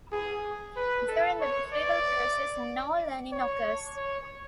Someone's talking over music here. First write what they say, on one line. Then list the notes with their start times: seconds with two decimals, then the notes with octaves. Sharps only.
During the retrieval process, no learning occurs.
0.12 G#4
0.76 B4
1.08 A4
1.41 C#5
1.73 D5
3.32 C#5
3.96 C#5